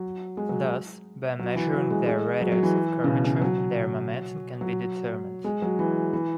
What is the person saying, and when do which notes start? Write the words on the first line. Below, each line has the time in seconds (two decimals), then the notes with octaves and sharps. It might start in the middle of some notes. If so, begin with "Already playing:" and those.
Thus, by measuring their radius of curvature, their momentum can be determined.
Already playing: F#3
0.37 G#3
0.49 F#3
1.39 F#3
1.56 E3
1.73 F#3
1.90 G#3
2.06 G#3
2.41 F#3
2.52 F#3
2.63 E3
3.04 C#3
3.08 B2
3.24 C#3
3.41 F#3
4.61 F#3
5.44 G#3
5.62 F#3
5.79 E3
6.13 E3